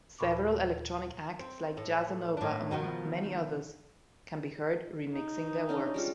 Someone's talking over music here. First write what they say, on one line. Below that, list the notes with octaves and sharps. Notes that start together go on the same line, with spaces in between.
Several electronic acts like Jazzanova among many others, can be heard remixing their works.
D#2 A#2 B5 C#6 D6
C4
A2
A2 D4
B2 D#3 F3
D#4
C#4 D4 D#5
G3 G#3 F4